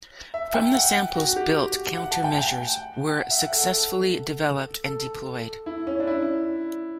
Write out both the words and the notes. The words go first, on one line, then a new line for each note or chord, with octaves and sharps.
From the samples built, countermeasures were successfully developed and deployed.
E5
G5
F#5
F#4
G4
F#5
A5
G5
G5
F#5
E5
F#5
A4
A4
A4
E4
C#4
D4
E4